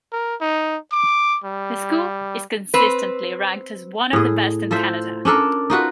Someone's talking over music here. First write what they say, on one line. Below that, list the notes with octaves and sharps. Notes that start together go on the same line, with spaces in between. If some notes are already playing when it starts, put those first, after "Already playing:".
The school is consistently ranked as one of the best in Canada.
A#4
D#4
D6
G3
C4 B4
A2 G#4
F4 A4 C5 E5
C#4 D4 A4 A#4
D#4 F4 F#4 B4